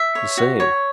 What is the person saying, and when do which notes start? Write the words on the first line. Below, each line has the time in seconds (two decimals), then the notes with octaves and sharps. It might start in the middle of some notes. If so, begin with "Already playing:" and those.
"The same."
Already playing: E5
0.15 C#5
0.37 F#4
0.60 C#5